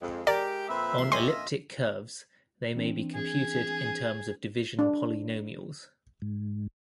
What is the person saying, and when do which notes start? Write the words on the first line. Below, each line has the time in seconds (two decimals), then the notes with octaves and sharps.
On elliptic curves they may be computed in terms of division polynomials.
0.02 F2 G#3
0.27 G4 A#4 D5
0.69 F2 A#2 C4 B4 E5
0.98 C6
1.12 G4 D#5 G#5 C6 C#6
1.28 F4 D#5 E6
2.76 E3 C4 D4
3.14 G#4
4.79 D4
6.22 G#2